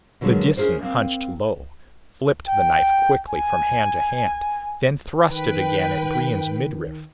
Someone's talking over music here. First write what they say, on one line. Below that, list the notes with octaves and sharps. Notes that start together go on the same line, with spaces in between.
The Disan hunched low, flipped the knife quickly from hand to hand, then thrust it again at Brion's midriff.
B2 D3 F#3 G#3 A#3 B3
C#4 E4 G#4 A#4 C5
A#3 C4
G5
G#5
D#3 B4 G5